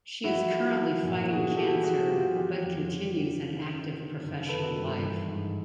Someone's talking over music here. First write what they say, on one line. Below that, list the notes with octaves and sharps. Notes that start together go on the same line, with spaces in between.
She is currently fighting cancer but continues an active professional life.
F3 E4 F#4
F3
F3
A#2
B2 F#4 G#4
B2 G4 A4
F3 F#4 G#4
F3 F4 G4
E3 F4 G4
F2
C#3
C#3
D#3
D#3
D3
F#2
D#3 A4 B4
G2
E3
G#2